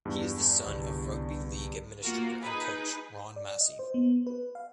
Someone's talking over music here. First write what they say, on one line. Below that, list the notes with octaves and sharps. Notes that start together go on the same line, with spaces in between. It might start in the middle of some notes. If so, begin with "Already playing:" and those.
He is the son of rugby league administrator and coach Ron Massey.
E2 G2
C2 D3
A#3 F4 F#4 A#4
D#4 G#4 B4
D5
D#5
C5
B3
B4
F5